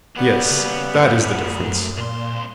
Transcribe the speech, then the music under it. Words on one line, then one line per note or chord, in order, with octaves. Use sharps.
Yes, that is the difference.
D#2 F#3 G3 B3 F#5
C#3
F#2 A3 F#5
C2 A#2 C6